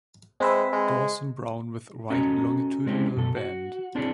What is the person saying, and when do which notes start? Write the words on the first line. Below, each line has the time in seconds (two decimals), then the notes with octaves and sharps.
Dorsum brown with white longitudinal band.
0.40 G#3 C4 B4 E5
0.73 G#3
2.10 C#4 F#4 A4 D#5 A#5
2.86 G#3 C4 C#4 E4 G4
3.16 F#2 B2 A4
3.37 F#4
3.95 C4 D4 E4 G#4 A#4 C#5